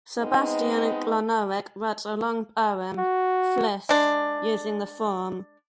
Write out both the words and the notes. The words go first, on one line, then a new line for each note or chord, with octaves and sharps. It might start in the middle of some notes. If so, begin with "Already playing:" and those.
Sebastian Klonowic wrote a long poem, Flis, using the form.
G#3 B3 C4 D#4
F#4
G#3 D4